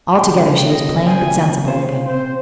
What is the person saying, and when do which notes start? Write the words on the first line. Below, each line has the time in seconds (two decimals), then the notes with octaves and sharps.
Altogether she was plain, but sensible-looking.
0.18 A#2 C#3 G5
0.66 D#5
1.07 D5 G5 G#5
1.36 D#4
1.68 C5 C#5 F5
2.06 C4 C5